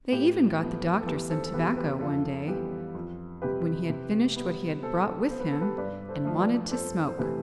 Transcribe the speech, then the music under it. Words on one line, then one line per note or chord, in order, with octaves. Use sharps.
They even got the Doctor some tobacco one day, when he had finished what he had brought with him and wanted to smoke.
A2 G4 B4
F3 B3
A4
E2 G4 B4
A4 C5
A4
B2 B3 G4 B4
G4 B4
F2 F4 A4
E3 G3 B3 G4 B4
F2
C3 G3 G4 B4
C3
G3 B3
B2 A4 C5
B3 C5
B4
A4
G4 B4
G2 B4 D5
A4 C5
F3 A3
B4 D5
F2 A4 C5
C5
C3 E3 A3 G4 B4